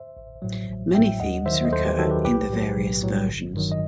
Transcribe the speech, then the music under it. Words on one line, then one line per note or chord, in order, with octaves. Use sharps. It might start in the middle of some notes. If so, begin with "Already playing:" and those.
Many themes recur in the various versions.
Already playing: C5 E5
A1
A2 F#3
A1
A2 F#3 E5 G5
D#2 D#5 F#5
D#3 F#3 C5 E5
D#5
D#2 A4 C5
G4 B4
D#3 F#3 F#4 A4
G4 B4
B1 G4 B4
A2 F#3
B1
A2 F#3
G1
G2 D#3 F#3
D#5